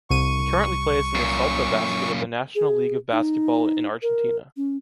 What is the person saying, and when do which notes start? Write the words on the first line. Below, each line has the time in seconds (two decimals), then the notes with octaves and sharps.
He currently plays in the Salta Basket of the National League of Basketball in Argentina.
0.10 C2 C#6 D#7
1.15 F#2 A#2
2.55 G#4
3.12 D#4
4.02 A#4
4.57 C#4